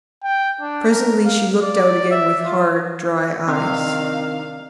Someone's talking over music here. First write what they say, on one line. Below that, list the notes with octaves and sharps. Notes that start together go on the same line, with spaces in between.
Presently she looked out again with hard, dry eyes.
G5
D4
A#4
F5
D5
E5
F4
C3 D#3 C4 D4 F5